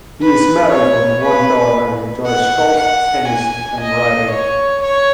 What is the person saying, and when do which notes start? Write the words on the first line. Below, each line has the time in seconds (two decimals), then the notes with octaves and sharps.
He is married with one daughter and enjoys golf, tennis and riding.
0.22 B4
0.73 C#5
1.24 B4
2.26 F#5
2.77 F#5
3.28 G#5
3.81 D#5
4.31 C#5
4.83 C#5